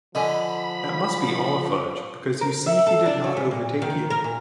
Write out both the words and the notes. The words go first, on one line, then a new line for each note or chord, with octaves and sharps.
That must be all a fudge, because you see he did not overtake you.
D3 F3 D#5 G#5 B5
A#4
E5
A4
D4
F#3
C#3
A#2
D#3
A#4
A#2